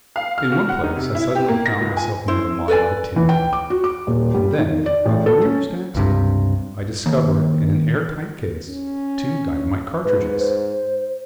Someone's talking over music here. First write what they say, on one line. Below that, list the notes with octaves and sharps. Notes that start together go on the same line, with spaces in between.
In one place I suddenly found myself near the model of a tin-mine, and then by the merest accident I discovered, in an air-tight case, two dynamite cartridges!
F5
F6
F#4
F#5
D#4
C3
E4
G4
A#3
A#6
C#2
G#5
E4 C5
A4 B4 D5 G#5
E3
G5
D6
F#4
D6
D#1
G3
D#3
D5
A1
A4
C#4
C#2 G2 C3
D#2
C#4
G#2 B4
C5